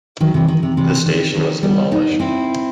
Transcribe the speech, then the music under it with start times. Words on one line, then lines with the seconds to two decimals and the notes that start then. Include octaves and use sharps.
The station was demolished.
0.21 D#3 F#3
0.34 C3 E3
0.48 D#3
0.63 C3
0.77 C3 E3
1.06 D#3
1.35 D#3
1.63 G3 B3
1.92 B3 D#4
2.12 D#4
2.20 C4 E4